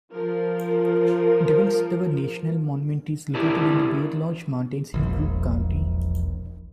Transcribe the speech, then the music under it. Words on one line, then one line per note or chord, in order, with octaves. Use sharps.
Devils Tower National Monument is located in the Bear Lodge Mountains in Crook County.
F3 A#4
D4 E4 G4 A#4
E1 A#1